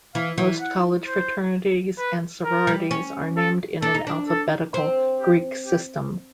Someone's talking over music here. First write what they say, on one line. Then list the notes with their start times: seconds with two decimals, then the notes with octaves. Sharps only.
Most college fraternities and sororities are named in an alphabetical Greek system.
0.15 E3 F5
0.38 E3
0.61 F#5
1.07 C5
1.98 B4
2.44 A#4
2.67 G3
2.91 C#4
3.37 A4
3.82 D4 A4
3.95 D#4
4.07 D4
4.29 A4
4.74 C4
5.20 G4
5.66 G4